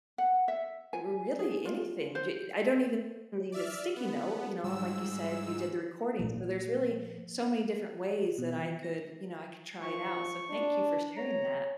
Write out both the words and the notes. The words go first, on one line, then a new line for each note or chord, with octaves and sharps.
r really anything, j I don't even need a sticky note, you know, and like you said, you did the recording, so there's really so many different ways that I could you know, I could try it out, so thank you for sharing that.
F#5
E5
G#5
G#4
F4
C5
D5 E5 F6
B3
G#2 G3 E6
A#2 F3
B2
E3
A#6
F3 C#6
D4
C#5 A#5